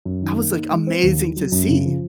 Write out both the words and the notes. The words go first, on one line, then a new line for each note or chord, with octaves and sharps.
That was, like, amazing to see.
F#2
D#3
A#3
D#4
G#3
C4
D#2
D#3
F#3
F#2
C#3
F3